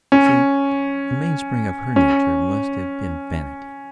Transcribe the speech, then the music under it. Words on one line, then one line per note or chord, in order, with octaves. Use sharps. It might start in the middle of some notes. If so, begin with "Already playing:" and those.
You see, the mainspring of her nature must have been vanity.
C#4
C#4